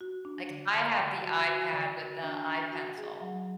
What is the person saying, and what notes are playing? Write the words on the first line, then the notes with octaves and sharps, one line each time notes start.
like I have the iPad with the iPencil
F#4
D4
D3
D3
D3
F#4
F#4
D3
F#4
D4
D4
F#4
G#4
F#3